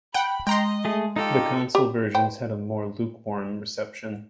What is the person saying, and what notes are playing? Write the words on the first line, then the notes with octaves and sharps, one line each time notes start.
The console versions had a more lukewarm reception.
F#5 G5 B5
G#3 D#5 G5 A#5 C6
A3 G#4
D#4 F4 G4 A4
G4
B4 C5 G5